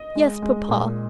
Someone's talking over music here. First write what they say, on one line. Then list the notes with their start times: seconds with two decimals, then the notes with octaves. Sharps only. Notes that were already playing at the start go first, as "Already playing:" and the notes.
"Yes, papa."
Already playing: D#5
0.15 G#3
0.42 G#3
0.68 A#2